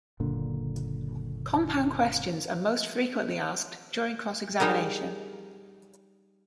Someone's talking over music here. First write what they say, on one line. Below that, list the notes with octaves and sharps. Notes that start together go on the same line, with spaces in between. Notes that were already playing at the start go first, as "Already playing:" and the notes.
Compound questions are most frequently asked during cross-examination.
F#1 A#2 D3
G3 D#4 G#4 A#4